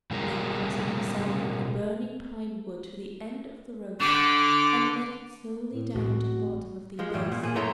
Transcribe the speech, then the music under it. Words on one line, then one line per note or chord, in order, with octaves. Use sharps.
They fastened some of the burning pine-wood to the end of the rope, and let it slowly down to the bottom of the abyss.
B2 G3 G#3 C#4 F4 A#4
D3 D6
A2
A1 A2 C4 F#4
F3 G#3
F#2 A2 E3 F3 G3
A#2
A#2 G#4
F#2 A3 E4 C#5 A#5 C6